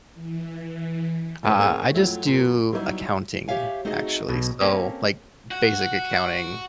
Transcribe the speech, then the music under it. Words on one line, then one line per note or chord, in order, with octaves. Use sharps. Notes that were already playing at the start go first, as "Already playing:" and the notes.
Uh, I just do accounting actually, so, like, basic accounting,
E3
G#2 C#3 B4
A#3 C4 C#4 G#4 C#5
F2 F#3 A3 E4
F#2 A#2
F#3 G3 B3 D#4 E4
G4 C#5 E5 F5 G#5
A3 C4 D#4 F#4 G#4 D#5
B1 B2
A#3 C4 C#4 G4 A4
F#4